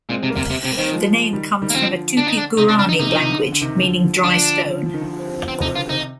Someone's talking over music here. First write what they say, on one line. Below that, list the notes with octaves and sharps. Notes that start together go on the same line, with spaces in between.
The name comes from a Tupi-Guarani language, meaning "dry stone".
A#2 G#3 C4
C3
G3 A#3
C3
C3
C3 C4
G3 A#3
D#3
F3 G#3
D#3 G3
D#3 G3
A#3
D3 F3 C4
D3 D4
D#4
D4
C3 D#4
D4
D3 D4
D#4
C3 D#3 D#4
D3 F3
C3 D#3
D3
D3
D3
C3 D#3
D3 F3
D3 F3 D4
D3 F3
F3
D#3
D3 F3
C4
C3 D#4
D3 F4
C3 D#3 D#4